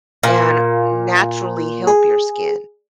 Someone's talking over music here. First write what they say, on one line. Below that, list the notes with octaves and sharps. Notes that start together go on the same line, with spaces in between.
and naturally help your skin.
A#2 F5
G#4